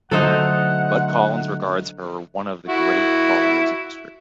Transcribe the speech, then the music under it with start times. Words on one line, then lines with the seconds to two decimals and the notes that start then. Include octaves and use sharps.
Bud Collins regards her one of the great volleyers in history.
0.11 D3 F#3 A3 D#4 A4 C5 D#5 F#5
2.69 E4 F#4